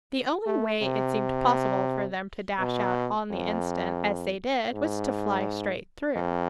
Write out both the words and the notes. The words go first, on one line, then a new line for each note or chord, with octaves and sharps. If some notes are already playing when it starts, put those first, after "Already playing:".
The only way it seemed possible for them to dash out on the instant, as they did, was to fly straight through.
A3
C3
B2
F2
G#2
F2